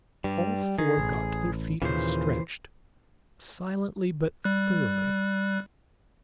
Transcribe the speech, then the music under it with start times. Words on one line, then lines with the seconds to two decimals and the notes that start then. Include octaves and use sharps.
All four got to their feet and stretched, silently but thoroughly.
0.24 G2 G3
0.79 D#3 G#4
0.98 A1
1.82 D#2 A#2 C#3 E3 C5
4.44 G3 F#6